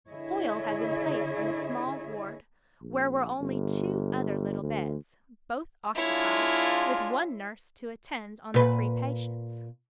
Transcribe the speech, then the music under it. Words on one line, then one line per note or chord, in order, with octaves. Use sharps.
Hoyle had been placed in a small ward where were only two other little beds, both occupied, with one nurse to attend on the three patients.
D3 E4 G#4 C#5 D#5 E5
A#1
G1
D2
G#3 D4 E4 F4 C#5
A#2 B4